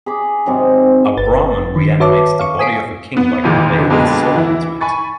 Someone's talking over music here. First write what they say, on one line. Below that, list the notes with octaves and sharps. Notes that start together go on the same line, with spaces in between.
A Brahman reanimates the body of a king by conveying his soul into it.
G#4 B5 D6
G#2 C3 D#3 F#3
G1 B4 A6
D#3
F#4 B4 C#5 E5 A5 D6
F5 C#6
G#5 D#6 B6 C7 D7
B3
A1 F2 A#2 D#3 E3 G#3
D3 F3
F2 B2 D3 G#3 A#3
E3 E4
G#5 B5 C#6 A6